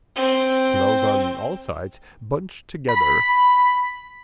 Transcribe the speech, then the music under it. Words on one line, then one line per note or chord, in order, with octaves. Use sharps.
Smells on all sides, bunched together.
C4
B5